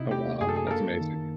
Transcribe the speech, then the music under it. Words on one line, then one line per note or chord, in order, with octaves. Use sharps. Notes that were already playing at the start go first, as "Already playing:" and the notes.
Oh, wow. That's amazing.
Already playing: C3 D#4 E4
A3 G4
F#2 G#4
A4
G#4
A#4
A#3 A4
D#3